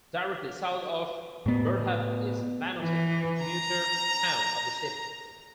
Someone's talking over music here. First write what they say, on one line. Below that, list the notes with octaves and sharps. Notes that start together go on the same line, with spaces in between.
Directly south of Barrhaven is Manotick, a commuter town of the city.
A2 B3
E3
A#5